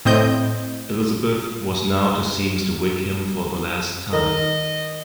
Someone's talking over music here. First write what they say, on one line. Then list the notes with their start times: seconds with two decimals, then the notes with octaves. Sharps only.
Elizabeth was now to see Mr. Wickham for the last time.
0.05 A2 C4 D#5 G6
4.13 D#3 A#4 D#5